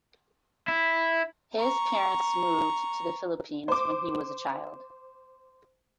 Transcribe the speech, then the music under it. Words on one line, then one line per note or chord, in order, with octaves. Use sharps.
His parents moved to the Philippines when he was a child.
E4
A#5 C#6
C5 D6